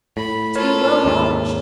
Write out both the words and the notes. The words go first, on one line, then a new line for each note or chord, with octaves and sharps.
To be well lodged!
A2 B5
F4 A4 A#4 C#5 B5
D#2 G#2